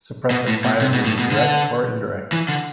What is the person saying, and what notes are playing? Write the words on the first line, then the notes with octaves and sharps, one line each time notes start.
Suppressive fire may be direct or indirect.
B2
A2
B2
C3
B2
A2
B2
D3
E3
D3